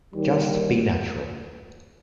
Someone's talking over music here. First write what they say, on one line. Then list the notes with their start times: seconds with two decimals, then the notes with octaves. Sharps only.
Just be natural.
0.14 D#2 D#3 G3